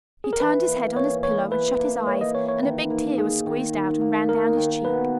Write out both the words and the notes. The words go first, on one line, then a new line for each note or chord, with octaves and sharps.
He turned his head on his pillow and shut his eyes and a big tear was squeezed out and ran down his cheek.
G#4
A#4
E3 B4
A#3
E4 C#5
E3 C#5
E3 B4
A#3
E4 C#5
D#5
E3 C#5
C#5
D#3 B4
A#3
D#4 G#4
D#3
D#3
A#3
D#4 A#4
D#3
B2 B4